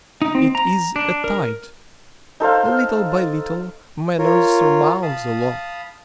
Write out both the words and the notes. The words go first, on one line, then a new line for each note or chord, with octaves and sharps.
It is a tide. Little by little manners surmount the law.
D#4
C4
A#5
D4
A#4
D#4 A4 C5 F5
F4 A#4 C#5
F5 A5 B5 D#6